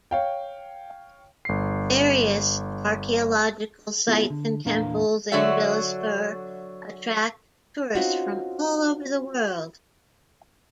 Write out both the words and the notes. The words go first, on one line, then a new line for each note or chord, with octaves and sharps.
Various archaeological sites and temples in Bilaspur attract tourists from all over the world.
C#5 F5 G5
G1 C7
B3 E4 F4 G#4 A4
D3
E2 A#2 D4 A#4 F5 A#5
D3 F#3 F#4 D5 E5
C4 C#4 D#4 F4 F#4